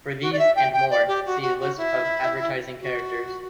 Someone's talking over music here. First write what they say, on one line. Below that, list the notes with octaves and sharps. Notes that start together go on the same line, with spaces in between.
For these and more, see List of advertising characters.
F#4
D5
E5
G5
G5
D5
G4
F#4
F#4
F#4
E4
F#4